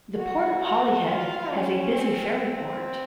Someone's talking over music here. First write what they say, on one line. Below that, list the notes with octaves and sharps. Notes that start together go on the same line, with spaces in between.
The Port of Holyhead has a busy ferry port.
F#4
F#4
F4
C#4
C4